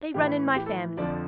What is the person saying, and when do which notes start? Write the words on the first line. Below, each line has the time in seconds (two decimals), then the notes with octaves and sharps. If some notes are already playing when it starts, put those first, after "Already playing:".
They run in my family.
0.14 A2 E3 G4
0.56 G4
0.66 A4
0.97 F2 D3 F3 D5